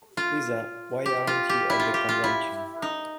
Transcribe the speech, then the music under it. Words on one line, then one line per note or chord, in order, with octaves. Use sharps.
Lisa, why aren't you at the convention?
F4
G4
F4
G4
E4
F4
G4
F4
E4
D#4